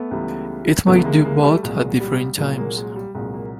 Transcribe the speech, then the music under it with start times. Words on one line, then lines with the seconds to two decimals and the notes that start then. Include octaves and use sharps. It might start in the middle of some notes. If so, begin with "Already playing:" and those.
It might do both at different times.
Already playing: A3 B3
0.11 C#2 C#3 E3 G3
0.87 C#2 C#3 E3 G3 A3 B3
1.05 G#3 A#3
1.24 G#3 A#3
1.44 G3 A3
1.62 C2 A#2 F#3 G#3
2.00 G3
2.39 C2 A#2 F#3 G#3
2.57 G#3 A#3
2.77 G#3
2.96 G3
3.15 C2 A#2 F#3 G#3
3.34 G#3 A#3